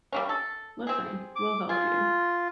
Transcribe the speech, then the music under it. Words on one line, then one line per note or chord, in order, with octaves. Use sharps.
Listen, we’ll help you.
G3 A#3 C#4
A4
C4 G#4
D6
F4 G#4